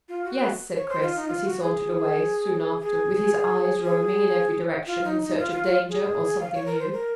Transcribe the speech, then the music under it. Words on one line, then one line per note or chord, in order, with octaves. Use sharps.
"Yes," said Chris, as he sauntered away soon after with his eyes roaming in every direction in search of danger or something new.
F4
F#4
C#5
C5
F4
D#4
F4
F#4
G#4
G#4
G#4
F4
D#4
D#4
F4
F4
F4
G#4
F5
C#5
A#4
C5
A#4